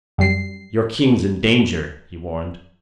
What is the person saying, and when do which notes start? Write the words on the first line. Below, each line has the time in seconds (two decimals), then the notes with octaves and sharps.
"Your king's in danger," he warned.
0.18 F#2 G3 C7